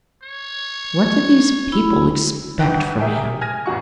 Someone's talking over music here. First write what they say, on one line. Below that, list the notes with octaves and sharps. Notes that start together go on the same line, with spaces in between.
What did these people expect from him.
C#5
E4 B5 E6
G1 D2 E3 G5 F#6
G4 G#4 A#4 E5 G5 G#5
G#5 F6 G#6 A#6 D#7
A1 E2 F#4 C#6